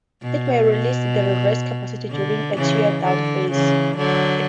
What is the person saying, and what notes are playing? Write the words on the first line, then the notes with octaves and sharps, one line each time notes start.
It may release the reserved capacity during a tear down phase.
B2
D3
C#3 E3
D3
C#3 E3
D3 F#3